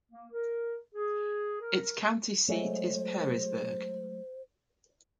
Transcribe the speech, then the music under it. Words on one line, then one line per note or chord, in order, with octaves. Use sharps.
Its county seat is Pearisburg.
A#3
A#4
G#4
A#4
F#3 G#3 A3 C5